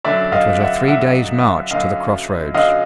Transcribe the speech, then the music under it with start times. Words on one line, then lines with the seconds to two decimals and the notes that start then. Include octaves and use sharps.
It was a three days' march to the cross roads.
0.04 F#2 D3 F#3 D5 E5
0.32 D#5 F5
0.60 E5 F#5
0.87 F#2 D3 F#3 E5 F#5
1.71 F#2 D3 F#3 D#5 F5
2.54 F#2 D3 F#3 D#5 F5